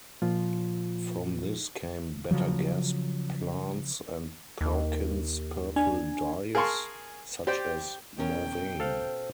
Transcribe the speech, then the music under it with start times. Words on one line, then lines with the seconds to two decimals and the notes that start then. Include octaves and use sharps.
From this came better gas plants and Perkin's purple dyes, such as Mauveine.
0.22 A#2 F3 F4
2.31 C#3 F3 F#3
4.61 D#2
5.76 D4 G#5
6.55 G#4 A#4 F5 A5 C6 C#6
7.47 G4 C5 D5 G5
8.19 B2 C#4 A#4 G5
8.80 A4 C5 F5